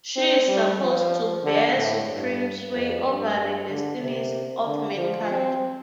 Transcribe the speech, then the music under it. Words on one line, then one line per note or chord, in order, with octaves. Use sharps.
She is supposed to bear supreme sway over the destinies of mankind.
C4
G3
F3
D3
A2
G2
F2
G2
G2
D3
C3
D3
F3
C4